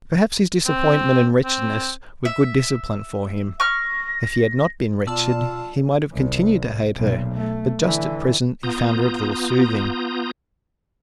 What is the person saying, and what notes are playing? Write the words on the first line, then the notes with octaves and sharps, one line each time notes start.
Perhaps his disappointment and wretchedness were good discipline for him; if he had not been wretched he might have continued to hate her, but just at present he found her a little soothing.
C4
C4
E5
C#6 F6 A#6
B2 F4 D5 A5 E6
C2
B1 A#2
A3
D3 E3
B3 F4 A#5 D#6 G6